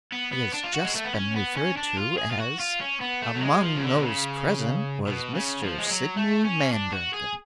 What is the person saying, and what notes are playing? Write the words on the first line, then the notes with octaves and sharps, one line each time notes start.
He has just been referred to as "Among those present was Mr. Sidney Mandragon."
B3
B3
D4
F4
F#4
G#3
A3
B3
C#4
B3
C#4
D4
F4
G#4
F4
F#4
F4
C#4
B3
A3
F#3
G#3
F3
C#3
D3
B2
C#3
B2
C#3
F3
G#3
F#3
A3
C#4
D4
F#4
G#4